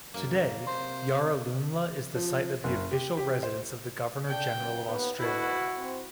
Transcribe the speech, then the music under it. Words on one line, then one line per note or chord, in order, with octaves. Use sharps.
Today, Yarralumla is the site of the official residence of the Governor-General of Australia.
F#2 A#3
C3 C5 C6
F3
F#1
G4
G4
C5
D3 D4 G5
F#2 B3
D#2 B3
D2 B2 E4 F#4 B4
C4